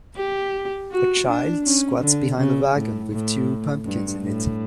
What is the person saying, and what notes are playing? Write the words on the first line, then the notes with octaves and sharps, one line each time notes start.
A child squats behind a wagon with two pumpkins in it.
G4
F#4
D4
C#4
D3
C#3
A2
A2
G2
A2